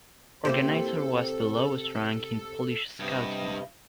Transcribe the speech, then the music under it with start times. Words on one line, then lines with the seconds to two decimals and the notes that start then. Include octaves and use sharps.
Organizer was the lowest rank in Polish scouting.
0.45 C3 A#3 E4 G4 A4 C5
3.00 G2 C3 B3 D#5